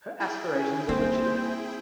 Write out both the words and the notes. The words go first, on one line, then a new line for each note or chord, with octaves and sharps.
Her aspirations are legitimate.
E4 G#4 G5
C#4
A#3 C4 C5